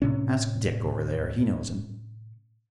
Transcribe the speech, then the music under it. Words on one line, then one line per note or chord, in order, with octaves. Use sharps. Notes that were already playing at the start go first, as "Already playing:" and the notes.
"Ask Dick over there; he knows him."
A2 C3 C#4